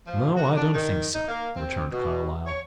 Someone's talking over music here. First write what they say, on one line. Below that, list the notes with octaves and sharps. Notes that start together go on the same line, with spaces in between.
"No, I don't think so," returned Carlyle.
F3
F#4
D4
D#3
D#4
A#3
C4
B2
C#5